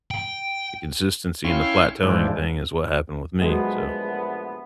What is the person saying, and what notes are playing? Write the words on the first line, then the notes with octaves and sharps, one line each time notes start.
the consistency and the plateauing thing is what happened with me, so.
G5
C#4 E4 F5 G5 C6 C#6
G#2 E3 F3 G3 G#3 D4
A#1 F#3 G#3 A3 B3